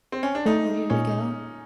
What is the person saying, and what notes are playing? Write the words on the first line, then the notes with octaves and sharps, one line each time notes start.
Where did we go?
C4
C#4
D4
A3 D#4
A#2 C#4